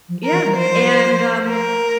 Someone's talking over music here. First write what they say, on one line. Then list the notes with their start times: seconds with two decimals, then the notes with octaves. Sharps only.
Yeah, and, um,
0.09 F3
0.24 A#4
0.32 E3
0.45 G3
0.54 F3 C5
1.48 A#4